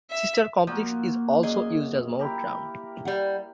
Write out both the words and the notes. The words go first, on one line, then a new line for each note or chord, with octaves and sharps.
Sister complex is also used as moe term.
E5
A#2 F3 A#3 F#4
F#2 G#4 D#5
E4 G4 A#4
G3 F#5